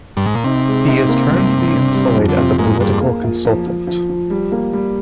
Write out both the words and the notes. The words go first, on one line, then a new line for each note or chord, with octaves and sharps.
He is currently employed as a political consultant.
G2
G#2
A#2
C3 D#4
G#3
D#4
A#3
G2
G2
D4
G3
F2
D3
C3 F4
G#2 A#3
G2 G#4
A#3
F4
F3
F3
F3
F3
G3
A#3
G3